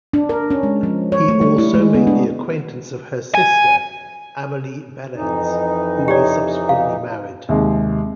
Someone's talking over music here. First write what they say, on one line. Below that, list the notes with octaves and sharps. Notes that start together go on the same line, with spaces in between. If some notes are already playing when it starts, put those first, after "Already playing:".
He also made the acquaintance of her sister, Amelie Behrens, whom he subsequently married.
D4
A#4
C#4
G#3
F3
C#5
A3
G3
E4
G#3
B3
D4
G#5
F2 E3 D#4
G4 C#5 D5
F5
D#2 C3 G#3